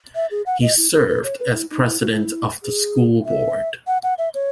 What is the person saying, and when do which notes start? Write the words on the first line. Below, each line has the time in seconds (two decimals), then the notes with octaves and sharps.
He served as president of the school board.
0.15 E5
0.31 G#4
0.46 F#5
0.62 D#5
0.77 E4
0.93 A#4
1.09 B4
1.24 C#5
1.39 B4
1.55 E4
1.71 D#4
1.86 E4
2.02 F#4
2.06 E4
2.63 G#4
3.26 E5
3.87 F#5
4.03 F#5
4.18 E5
4.34 C#5